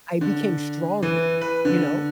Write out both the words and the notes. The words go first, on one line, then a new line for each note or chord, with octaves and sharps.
I became stronger, you know.
D3
E3
B4
D3